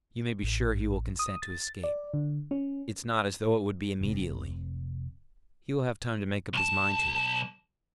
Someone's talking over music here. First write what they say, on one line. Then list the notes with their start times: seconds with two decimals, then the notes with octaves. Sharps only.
You may be sure he will consent to escape. It's not as though it would be immediately; he will have time to make up his mind to it.
0.43 A1
1.19 D#6
1.42 A6
1.84 D5
2.14 D3
2.51 C#4
4.01 F1 C3
6.54 B1 A5